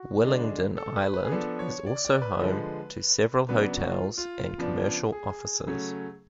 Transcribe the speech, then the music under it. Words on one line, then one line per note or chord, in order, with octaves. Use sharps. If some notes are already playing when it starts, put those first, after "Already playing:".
Willingdon Island is also home to several hotels and commercial offices.
Already playing: F#4
D3 G#3 D4
A4
B4
B4
G#4
F3 B3 D4 A4
C#5
D5
D5
B4
D3 F3 G#3
C#3 F#3 B3 D4 B4
F#4
F4
F4
C#3 F3 B3 D4
G#4
C#3 F#3 A3 C#4